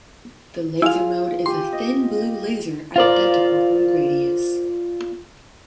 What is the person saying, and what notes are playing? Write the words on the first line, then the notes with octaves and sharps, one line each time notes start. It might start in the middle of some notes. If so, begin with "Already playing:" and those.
The Laser mode is a thin blue laser, identical from Gradius.
E4 F4 G#4 F5
G4 C6 D#6
D#5
F4 A#4 C5 D5 F5